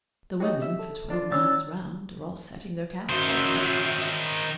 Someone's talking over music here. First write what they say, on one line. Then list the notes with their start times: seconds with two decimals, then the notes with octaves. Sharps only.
The women, for twelve miles round, are all setting their caps for him.
0.40 D#4 F#4 G4 C#5
0.62 E5
0.79 A4
1.10 D4 F4
1.32 F#3 C#4 C#5 E6 A6
3.10 D#3 C#4 F#4 C5 E5